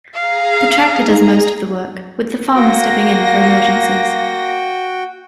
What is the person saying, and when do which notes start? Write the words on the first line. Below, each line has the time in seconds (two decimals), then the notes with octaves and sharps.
The tractor does most of the work, with the farmer stepping in for emergencies.
0.15 G#4 F5 A#5
1.07 G#3 D#4
2.55 A#3 F#4 F5 G5 A#6